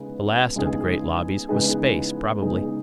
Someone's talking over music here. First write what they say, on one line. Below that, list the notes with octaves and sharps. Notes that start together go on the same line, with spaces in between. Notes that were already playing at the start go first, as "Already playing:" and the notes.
The last of the great lobbies was Space, probably.
Already playing: C#3 G#3 B3 D#4 G#4
C#3 G#3 B3 D#4 G#4
C#3 G#3 B3 D#4 G#4
C#3 G#3 B3 D#4 G#4